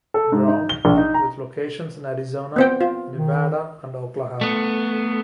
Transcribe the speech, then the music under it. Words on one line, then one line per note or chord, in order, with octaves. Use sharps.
Brown, with locations in Arizona, Nevada and Oklahoma.
A4
G#2
D#4
G7
A#1
D#4
A#5
B3 C4 G5
F4
D#3
A3 B3